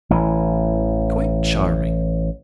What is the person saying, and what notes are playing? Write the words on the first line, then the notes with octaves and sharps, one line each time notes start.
Quite charming!
A1 E3